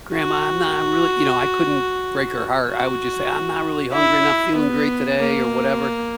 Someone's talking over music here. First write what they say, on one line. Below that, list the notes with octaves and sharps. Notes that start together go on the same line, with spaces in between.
"Grandma, I'm not really" you know, I couldn't break her heart. I would, just, say, "I'm not really hungry, I'm not feeling great today or whatever."
F#4
F#4
E4
B3
A#3